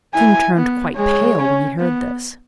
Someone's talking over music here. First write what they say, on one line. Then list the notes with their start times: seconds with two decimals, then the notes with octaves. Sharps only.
The king turned quite pale when he heard this.
0.13 E4 G#5
0.56 B3
0.97 G#3 C#5
1.38 C#4
1.80 B3